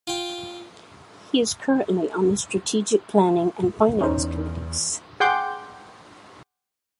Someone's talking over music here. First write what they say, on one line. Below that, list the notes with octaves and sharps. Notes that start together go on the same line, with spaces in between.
He is currently on the Strategic Planning and Finance committees.
F4 G5
E2 C#4 D#4 C5
G#4 F#5 G5 C6 D6 G6